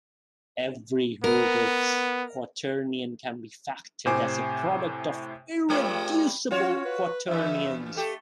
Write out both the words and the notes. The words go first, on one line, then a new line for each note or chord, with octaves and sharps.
Every Hurwitz quaternion can be factored as a product of irreducible quaternions.
B3 A#4
A2 C3 C5 G#5 D6
G2 G#3 C4 F4
C#4 F4 F#4 C#5
B4
E2 G2 E5
A3 G4 A4